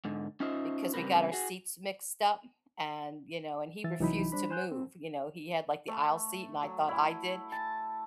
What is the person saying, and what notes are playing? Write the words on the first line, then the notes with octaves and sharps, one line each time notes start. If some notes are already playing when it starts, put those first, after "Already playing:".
because we got our seats mixed up and, you know, and he refused to move, you know, he had, like, the aisle seat and I thought I did.
G#2 D3
C#4 D#4 F4 C5 D#5 E5
C#3 G3 G#3 C4 A#4 B4
F#4 G#4
E3 E5 A6
C2 E3 F#3 D#4 E4 B5
G3 D4 C5 B5
C5 G#5 F#6 G6
C4
A3
F#3
E4
A5